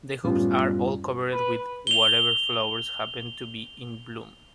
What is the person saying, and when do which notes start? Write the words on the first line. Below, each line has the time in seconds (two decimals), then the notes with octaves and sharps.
The hoops are all covered with whatever flowers happen to be in bloom.
0.25 F#2 A2 G3 B3 C#4 F4
1.33 B4
1.87 F7 G7